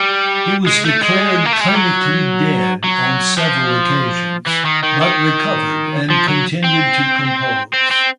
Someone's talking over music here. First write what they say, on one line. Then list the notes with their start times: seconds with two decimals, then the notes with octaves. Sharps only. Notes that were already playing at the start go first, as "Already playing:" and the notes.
He was declared clinically dead on several occasions, but recovered and continued to compose.
Already playing: G3
0.67 G#3
0.85 A3
1.03 G#3
1.45 A#3
1.53 A3
1.60 G#3
1.68 G3
1.75 F#3
2.84 F#3
3.38 F3
4.47 E3
4.65 D#3
4.84 D#3
5.01 D#3
6.10 F3
6.28 F#3
6.64 C4
7.74 C4
7.91 C4